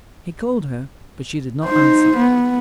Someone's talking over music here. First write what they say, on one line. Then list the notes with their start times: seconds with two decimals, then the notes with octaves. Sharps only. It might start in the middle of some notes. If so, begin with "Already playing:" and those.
He called her, but she did not answer.
1.65 D#4 C5
2.17 B3